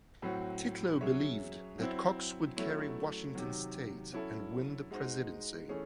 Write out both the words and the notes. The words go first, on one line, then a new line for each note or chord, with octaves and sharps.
Titlow believed that Cox would carry Washington state and win the presidency.
A2 F#3 C4 F#4
F#3 C#4 G#4 C#5 E5
F#3 C4 E4
F#3 A3 C#4 E4
C3 D#3 F#3
F#3 C#4 E4 A4
G#3 D#4 F#4 C5 D#5
E3 A3 C#4 G#4